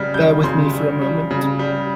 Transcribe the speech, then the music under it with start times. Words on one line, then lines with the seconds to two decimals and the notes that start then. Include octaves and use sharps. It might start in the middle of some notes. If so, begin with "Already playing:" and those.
Bear with me for a moment.
Already playing: C#3 G3 F6
0.14 G3 G6
0.44 C#3 C6
0.73 G3
1.02 G3
1.31 C#3
1.59 G3